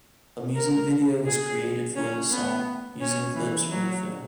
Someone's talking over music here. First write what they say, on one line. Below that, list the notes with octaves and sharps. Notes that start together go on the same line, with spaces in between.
A music video was created for this song, using clips from the film.
A#4
G#4
C#4
B3
C#4
E3
F#3